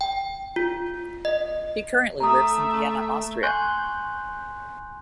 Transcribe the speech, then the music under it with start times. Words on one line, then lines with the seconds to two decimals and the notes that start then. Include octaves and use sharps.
He currently lives in Vienna, Austria.
0.01 G5
0.56 F4
1.25 D#5
2.20 A3 E5 A#5 D#6
3.43 G#5 C6 C#6 F#6 G6